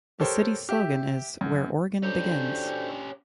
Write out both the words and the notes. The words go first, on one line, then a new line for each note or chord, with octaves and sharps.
The city's slogan is "Where Oregon Begins".
G4 A4 A#4 C5 C#5 G5
G4 E5
F#2
C#4 D4 F#4 G4 A4 C5 G6